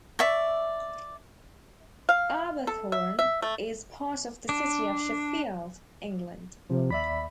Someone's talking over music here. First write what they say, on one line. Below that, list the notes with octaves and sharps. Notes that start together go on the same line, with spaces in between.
Arbourthorne is part of the city of Sheffield, England.
D5 E5 C#6
F5
A4
E5
E5
A3
D4
C3 F3
D#2 D5 E5 B5